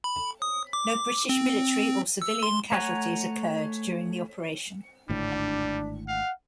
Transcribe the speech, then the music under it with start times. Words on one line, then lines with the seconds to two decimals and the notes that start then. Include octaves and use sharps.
No British military or civilian casualties occurred during the operation.
0.04 B5
0.42 D#6
0.73 D6
1.29 C4
2.22 E6
2.43 C6
2.72 A3 C#5 F#5 G#5 A#5
5.09 G#1 A2 D3 G3 D4
6.08 F5 F#5